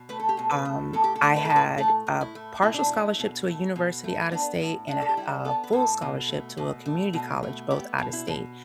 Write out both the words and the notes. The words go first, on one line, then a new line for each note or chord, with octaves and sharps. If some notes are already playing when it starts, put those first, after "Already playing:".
Um, I had a partial scholarship to a university out of state and a ha uh, full scholarship to a community college, both out of state.
Already playing: B2
A3 B4
A4
G4
B2 A4
B4
A3
A2 A4
G4
A4
A3
B4
A4
A2
B4
A3 A4
A2
E4
A3
B2 E4
D4
E4
A3
B2
A3
B2
A3
B3 D4
A2
A2 D4
A4
G4
G3 E4
B3 A4
B4
A2 A4
B2
A3
B2
A3
B2
A3
B3 G4
B2
E4
B2